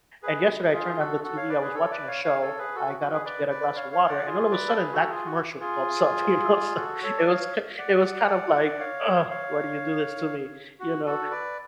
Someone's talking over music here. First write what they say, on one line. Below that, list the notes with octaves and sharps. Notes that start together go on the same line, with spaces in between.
and yesterday I turned on the TV, I was watching a show, I got up to get a glass of water and all of a sudden that commercial pops up, you know? So, it was k it was kind of like, "Ugh, why do you do this to me?" You know?
G#4 B4
F4 G#4
F#4 A4
F#4 A4
C#5 F5
B4 D5
G#4 B4
A4 C#5
B4 D5
C#5 F5
C#5 F5
A4 C#5
G#4 B4
F#4 A4
F#4
F#4
G#4 B4
B4 D5
B4 D5
C#5 F5
C#5 F5
D5 F#5
F4 G#4
B4 D5
A4
G#4 B4
F#4 A4
F4 G#4
F#4
F4 G#4
F#4 A4
A4 C#5
D5
C#5 F5
D5 F#5
C#5 F5
C#5 F5
F#4
F#4 A4
B4 D5